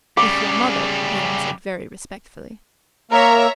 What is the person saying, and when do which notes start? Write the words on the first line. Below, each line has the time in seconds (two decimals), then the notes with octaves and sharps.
"With your mother," he answered very respectfully.
0.17 C#3 G3 D6
3.11 A#3 A#4 C#5 E5 A#5